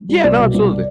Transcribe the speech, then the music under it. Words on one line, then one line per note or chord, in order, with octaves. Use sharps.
Yeah, no, absolutely.
G3
C2 D5
B2
C2